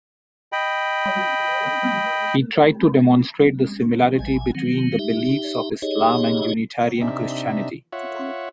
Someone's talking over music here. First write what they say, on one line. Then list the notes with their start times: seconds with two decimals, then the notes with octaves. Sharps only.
He tried to demonstrate the similarity between the beliefs of Islam and Unitarian Christianity.
0.52 D#5 G5 B5
4.19 A1 G#5
4.55 D#3 F#3 C4
4.99 D#4 G4 E5
5.82 D#4 G4 G#4 C#5 D#5
7.01 C3 D4 D#4 E5
7.93 F4 C#5 E5 F#5